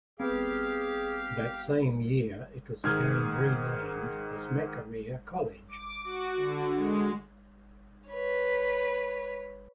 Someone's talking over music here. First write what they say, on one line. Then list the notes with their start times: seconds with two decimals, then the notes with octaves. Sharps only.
That same year it was again renamed as Makerere College.
0.20 B3 C4 G4 G#4 B4 F5
2.84 G#2 D#3 G#4 F6 G#6
5.67 D6
6.04 F#4
6.36 D3
6.74 G#3
8.10 B4 C#5